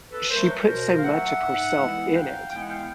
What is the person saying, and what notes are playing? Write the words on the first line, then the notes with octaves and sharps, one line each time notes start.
She put so much of herself in it,
A4 B4
F#3 A3 A#4 C5
B4 C#5
B2 A#4 C5
F5
F#3 A3 E5 F#5
G#2
E3 G#3 B3 E4
G#2 F5 G5
E3 G#3 B3 E4 G5
F#5
F5 G5